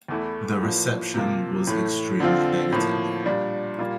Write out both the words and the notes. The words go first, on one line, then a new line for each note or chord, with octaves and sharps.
The reception was extremely negative.
E2 E3 A3 E4
A2 F3 A#3
C3 F3 A#3 F4
A2 E3 A3
D3 F3 C4 F4
A2 F3 A#3
A#2 G3 D4
A#2 G3 A#3 F4